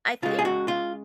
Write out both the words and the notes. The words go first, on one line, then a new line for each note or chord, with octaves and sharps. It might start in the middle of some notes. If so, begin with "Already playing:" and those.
I think
C#3 G#3 F4
G#4
F#4
F4